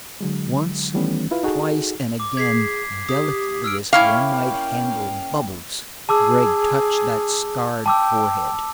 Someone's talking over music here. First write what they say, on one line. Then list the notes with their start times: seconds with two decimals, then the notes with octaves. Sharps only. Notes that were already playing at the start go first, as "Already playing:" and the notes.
Once, twice and again, delicately as one might handle bubbles, Gregg touched that scarred forehead.
0.21 D3 F#3 G#3
0.94 D#3 E3 G3 A3 B3 C#4
1.31 E4 F4 B4 F5
1.43 D#4 F#4 G#4 A4
2.20 D6
2.37 G#4 G#6 B6 C7
3.09 G4 D#6
3.64 E6 F6 D7
3.93 A#3 C#4 E4 F5 G5
6.09 G#4 A5 D6 E6
7.86 G5 A5 D6 E6